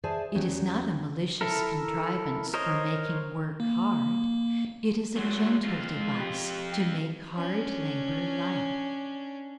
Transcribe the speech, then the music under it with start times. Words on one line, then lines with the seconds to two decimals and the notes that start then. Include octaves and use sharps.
It is not a malicious contrivance for making work hard; it is a gentle device to make hard labor light.
0.04 G#4 C5 D5 E5 G#5 A5
0.35 E2 F#3 C#4 G4
1.41 E4 A4 A#4
2.54 A#4 C5 C#5 D#5
3.60 A#3
5.16 E2 F#3 G#3
5.64 F2 F4
5.96 G#3
6.20 G4
7.34 C#4 D4